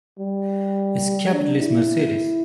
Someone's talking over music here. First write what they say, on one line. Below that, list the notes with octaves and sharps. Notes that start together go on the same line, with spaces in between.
Its capital is Mercedes.
G3
D4
E4